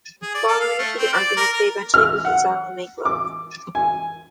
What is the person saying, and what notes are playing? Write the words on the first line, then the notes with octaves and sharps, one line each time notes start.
Following a heated argument, they eventually reconcile and make love.
G#4
D5
A4
F5
A3
C4
D5
A#4
A#4
F6
F#5
D6
G#5